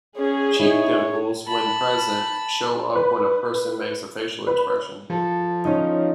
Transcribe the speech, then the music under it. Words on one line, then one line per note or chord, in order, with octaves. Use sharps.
Cheek dimples when present, show up when a person makes a facial expression.
C#4 G#4
D#4 E4 C#5
A5 B5
B4
B4
F3 A4
C#4 D#4